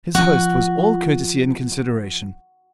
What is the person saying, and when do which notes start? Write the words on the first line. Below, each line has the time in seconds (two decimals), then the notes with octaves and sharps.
His host was all courtesy and consideration.
0.15 F3 F#4